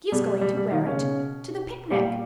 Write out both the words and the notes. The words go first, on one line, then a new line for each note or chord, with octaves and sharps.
She is going to wear it to the picnic.
B2 G3
G3
G3
G3
D#3 D#4
C#3 C#4
B2
A#2 G3 G4